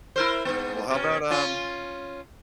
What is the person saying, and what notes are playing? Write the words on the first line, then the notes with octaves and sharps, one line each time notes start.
Well, how about, um
E4 A#4 C5
G#2 B3
B2 C#4
C#4 F4